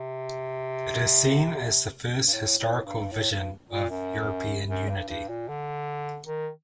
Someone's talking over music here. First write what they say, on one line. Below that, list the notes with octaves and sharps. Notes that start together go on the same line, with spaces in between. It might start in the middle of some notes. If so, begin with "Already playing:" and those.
It is seen as the first historical vision of European unity.
Already playing: C3
G2
A2
A2
G2
A2
G2
A#2
F#2
F#2
G2
G2
A#2
D3
D#3